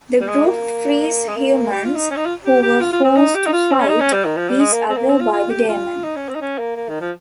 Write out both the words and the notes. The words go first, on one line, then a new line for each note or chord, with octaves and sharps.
The group frees humans, who were forced to fight each other by the demon.
G3
G#3
A#3
G#3
A#3
G4
F4
D#4
C#4
D#4
F4
G4
G4
F4
F4
C4
D#4
G4
D#4
F4
C4
C#4
D#4
C#4
G3
D#3
F3
G3
G#3
A#3
C4
A#3
C4
F4
F4
G4
F4
D#4
C#4
C4
D#4
C#4
A#3
A#3
D#3
F3